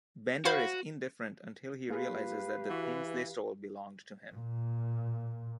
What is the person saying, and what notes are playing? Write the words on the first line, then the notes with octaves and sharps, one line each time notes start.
Bender is indifferent until he realizes that the things they stole belonged to him.
F#4 C5 F5 B5
A#3 F4 G4 G#4 B4 F5
E3 F#4
A#2